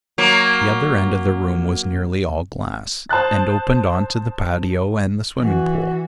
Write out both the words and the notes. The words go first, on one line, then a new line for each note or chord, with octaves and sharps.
The other end of the room was nearly all glass, and opened onto the patio and the swimming pool.
F#3 A#3
C5 A5 D#6 F#6 A6
E3 F#4